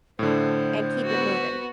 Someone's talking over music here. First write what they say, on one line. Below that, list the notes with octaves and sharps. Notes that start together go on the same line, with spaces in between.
and keep it moving."
A2 D3 C5
B3 F#4